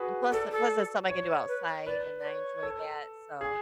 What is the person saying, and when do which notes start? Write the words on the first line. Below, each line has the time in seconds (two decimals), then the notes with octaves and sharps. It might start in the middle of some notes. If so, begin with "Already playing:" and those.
And plus plus there's something I can do outside, and I enjoy that. So
Already playing: F#4 G#4 B4
0.32 A4 D5
0.52 A4
1.09 C#5
1.48 B4
1.68 C#5
1.87 B4 D5
2.19 D5
2.26 C#5
2.63 A4
3.41 G#4